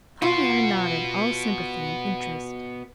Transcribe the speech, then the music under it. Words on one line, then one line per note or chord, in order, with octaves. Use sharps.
Pollyanna nodded, all sympathy and interest.
B3 F4 F#4